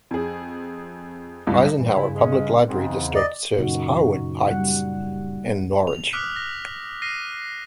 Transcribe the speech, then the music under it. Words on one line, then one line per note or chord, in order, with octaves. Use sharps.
Eisenhower Public Library District serves Harwood Heights and Norridge.
F2 G#4
C#2 G2
G2 E3
C#3 C4 E4
G#3 C#4
G#2 C#3 C4
E2
D5 D#5
F#2 A#2 C#3 A#3 D#4 F#4
G3 F#5
F7
D6 D#6 F6 F#6 B6
A#6
F6 A#6 C7 D#7